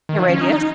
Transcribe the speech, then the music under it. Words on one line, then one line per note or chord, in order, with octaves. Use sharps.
The radius.
D#3
F3
C#4
D#4
D#4